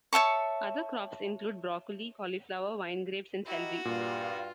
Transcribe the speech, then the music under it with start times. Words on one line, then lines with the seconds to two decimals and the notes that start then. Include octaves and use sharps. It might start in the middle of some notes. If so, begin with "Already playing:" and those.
Other crops include broccoli, cauliflower, wine grapes, and celery.
0.13 C#5 E5 A5 C#6
3.46 E4 F#4 G4 A#4 D#5
3.85 G2 A#2 F4